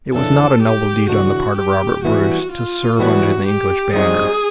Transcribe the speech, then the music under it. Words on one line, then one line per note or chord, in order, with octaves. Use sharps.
It was not a noble deed on the part of Robert Bruce to serve under the English banner.
F2 C#3 E3 A3 D4 A4
G4
F2 C#3 E3 A3 D4 F#4
G4
A2 E3 G3 B3 E4 F#4
F4
A2 E3 G3 B3 E4 F#4
G4
G3 C4 D#4 F#4 G#4